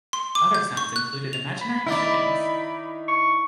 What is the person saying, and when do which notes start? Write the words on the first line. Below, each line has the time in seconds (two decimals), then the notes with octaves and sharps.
Other sounds included imaginary chickens.
0.13 C6
0.35 D6
0.55 G6
0.77 C#6
0.96 F#6
1.33 F7
1.62 B5
1.87 D#3 D#4 E4 D5
3.08 C#6